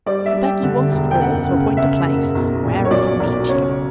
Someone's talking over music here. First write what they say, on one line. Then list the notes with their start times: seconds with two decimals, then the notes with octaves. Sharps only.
I beg you once for all to appoint a place where I can meet you.
0.06 G3 D5
0.26 E5
0.34 G3
0.45 G5
0.63 D3
0.92 E1
1.11 G5
1.20 F#1 F#5
1.48 C#3
1.77 C#3 E5
2.06 F#1
2.35 B1
2.63 A#2
2.85 C#5
2.91 F#3 D5
3.20 B1
3.49 C#3 C#5